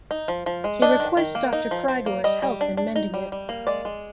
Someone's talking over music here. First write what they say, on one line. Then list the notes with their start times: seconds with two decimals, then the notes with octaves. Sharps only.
He requests Doctor Crygor's help in mending it.
0.11 D#4
0.28 F3
0.46 F3
0.64 G#3
0.82 D4 D#5
1.00 D#3
1.17 D#3
1.35 A#3
1.53 D#4
1.71 F3
1.88 F3
2.06 A#3
2.24 G3 D#5
2.42 G3
2.61 D4
2.77 D4
2.96 D#4
3.14 G3
3.32 G3
3.49 A#3
3.67 G#3 D5
3.85 G#3